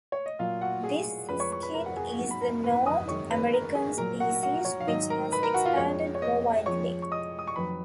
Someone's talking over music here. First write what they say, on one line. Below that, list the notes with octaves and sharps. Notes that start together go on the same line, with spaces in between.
This siskin is the North American species which has expanded more widely.
C#5
D#5
A#2 F#3 F4 F5
F#4 F#5
G#4 G#5
F2 F3 G#3 B4 B5
C#5 C#6
C#6
B4 B5
A#4 A#5
F#5
G#4 G#5
G#2 F#3 F#4 F#5
B5
A#4 A#5
B4 B5
D#5 D#6
F#2 D#3 G#3 C#5 C#6
B4 B5
A#4 A#5
G#4 G#5
A#2 F#3 A#4 A#5
F#4 F#5
F#4 F#5
C#5
F5
G#2 D#3 F#3 D#5
A#4 A#5
B4 B5
A#4 A#5
F#4 F#5
F4 F5
F2 F3 G#3 C#5
C#5
D#5
F2 F3 G#3 C#5 C#6
C#6
D#5 D#6
D#6
C#6
F2 D#3 F#3 B4 B5